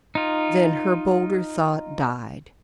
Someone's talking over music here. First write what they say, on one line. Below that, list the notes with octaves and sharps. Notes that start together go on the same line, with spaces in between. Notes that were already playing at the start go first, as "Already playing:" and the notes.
Then her bolder thought died.
D#4 F4